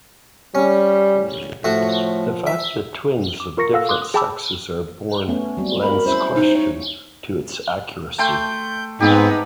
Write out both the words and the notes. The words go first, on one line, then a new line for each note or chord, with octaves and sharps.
The fact that twins of different sexes are born lends question to its accuracy.
G3 C#4
A2 F3 F#4
E5
D6
F4 A#4 C#6 A#6 C#7
F4 A4 F5 F#5 E6 A#6
C6 D6 D#6 F#6
D#6
G#4 G5 A5 B5 D6 E6
A3 B3 C#4
F#3 G3 C4
F#4 A#4 B5
C#4 E4 C5 E5
D#4
C#5
A3 G5 C6 G6
G#2 B3 C4 D#4 G4 B4